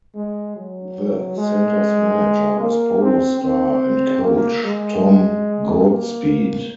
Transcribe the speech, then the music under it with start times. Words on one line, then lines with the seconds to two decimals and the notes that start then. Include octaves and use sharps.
The center's manager was polo star and coach Tom Goodspeed.
0.15 G#3
0.57 F#3
1.37 G#3
2.60 A#3
3.01 C4
3.41 C4
4.23 A#3
4.64 G#3
5.86 A#3